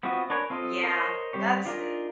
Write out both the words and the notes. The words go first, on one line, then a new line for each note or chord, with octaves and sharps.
Yeah. That's e
B3 C4 F4 F#4 D#5
D4 A#4 B4 C#5 G#5
C4 F4 A4 D#5
A#4 C5 C#5 D#5
G3 C4 G4 C#5
D4 D#4 F4 G#4 A#4